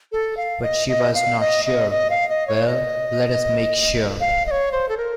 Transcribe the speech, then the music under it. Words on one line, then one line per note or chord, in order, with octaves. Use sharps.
But she was not sure - well, let us make sure!
A4
F5
D#5
D#5
F5
D#5
D#5
D#5
F5
D#5
C#5
D#5
F5
D#5
C#5
C5
A4
A#4